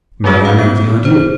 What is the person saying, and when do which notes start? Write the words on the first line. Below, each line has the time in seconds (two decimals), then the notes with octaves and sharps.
"May I know the idea?"
0.24 F#3 G#3 C#4 F#4 G#4
0.45 F5
0.59 B3
1.05 C5